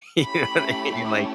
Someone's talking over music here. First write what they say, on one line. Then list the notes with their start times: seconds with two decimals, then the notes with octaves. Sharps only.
You know what I mean? Like
0.22 A3 C#4 E4 G4 B5